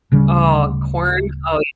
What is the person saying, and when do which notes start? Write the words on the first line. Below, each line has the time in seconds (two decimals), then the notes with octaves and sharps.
oh, corn? Oh
0.12 D1 C#3 G3